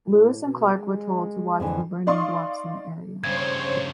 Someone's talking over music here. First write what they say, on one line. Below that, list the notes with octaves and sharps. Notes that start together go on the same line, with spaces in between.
Lewis and Clark were told to watch for 'burning bluffs' in the area.
A2
B2
G#3
F2 D3 E3
D#4 D5 F5 C6 C#6 D#6
G2 C#3 C5 C#5 G#6